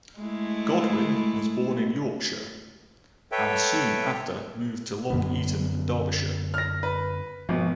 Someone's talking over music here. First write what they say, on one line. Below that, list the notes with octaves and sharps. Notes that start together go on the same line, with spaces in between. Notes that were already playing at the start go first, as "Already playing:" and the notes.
Godwin was born in Yorkshire and soon after moved to Long Eaton, Derbyshire.
G#3 A3 E4
A4 B4 C#5 E5 G5
F#2 D3 B3
F6 A#6
B4
G#1 B2 F3